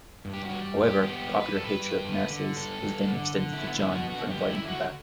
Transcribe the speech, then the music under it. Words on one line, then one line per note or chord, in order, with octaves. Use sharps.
However, popular hatred of Narses was then extended to John for inviting him back.
G2
G4
F#4
G3
G2
G4
B3 G4
G3
B4
G3 A4
B4
G3
D3
D3
G2 A4
G2
D3
D3
E4
B3
E4
B3
F#4
D3 F#4
G4
D3
E4
D3
F#4